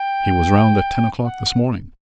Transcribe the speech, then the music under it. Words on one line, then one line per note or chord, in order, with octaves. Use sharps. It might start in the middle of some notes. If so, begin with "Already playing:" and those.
"He was round at ten o'clock this morning."
Already playing: G5
F#5